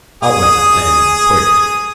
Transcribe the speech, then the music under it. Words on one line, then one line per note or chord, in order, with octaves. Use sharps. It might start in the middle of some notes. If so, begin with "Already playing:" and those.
'Out with it then, quick!
G#4 D#6